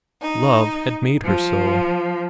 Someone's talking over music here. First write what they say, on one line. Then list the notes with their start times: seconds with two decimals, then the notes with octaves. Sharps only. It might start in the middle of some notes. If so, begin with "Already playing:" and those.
Love had made her so.
0.23 D#4
1.25 F3